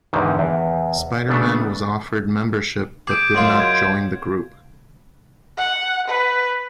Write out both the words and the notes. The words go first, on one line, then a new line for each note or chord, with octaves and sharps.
Spider-Man was offered membership but did not join the group.
E2 G#2 D3 D#3
E2
C#3 A3 B3 D4 A4
G#4 D6 G6 D7
F#2 G#3 F4
G#6 D7
F#5
B4